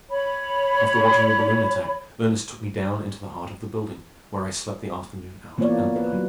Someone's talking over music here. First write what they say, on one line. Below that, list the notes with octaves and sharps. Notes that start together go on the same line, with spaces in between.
After watching the balloon attack, Ernest took me down into the heart of the building, where I slept the afternoon out and the night.
C#5 B5
E3 A#3 B3 F4 C#5 D5
B4
F#3